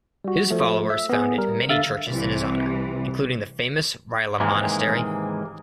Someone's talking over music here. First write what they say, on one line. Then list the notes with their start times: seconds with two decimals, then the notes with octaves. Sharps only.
His followers founded many churches in his honor, including the famous Rila Monastery.
0.24 G3 F#4
0.51 F3 A3
0.90 E5
1.09 B3 G#4
1.38 G3 A#4
1.69 D3 E5 F5 A6
2.09 C2 C3 E3
4.40 D#2 G#2 C3 E3 G#3 A#3